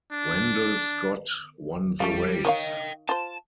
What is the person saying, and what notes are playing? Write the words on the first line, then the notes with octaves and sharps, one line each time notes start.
Wendell Scott won the race.
D4
G3 A3 C#4 F5
D#3 C#5 D#5 F5 G5
F4 C5 A5